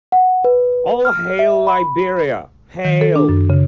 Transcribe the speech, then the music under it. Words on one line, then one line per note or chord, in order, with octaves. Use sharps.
All Hail, Liberia, Hail!
F#5
B4
F6
E5
B5
D#3
A4
D4
F#2
C#3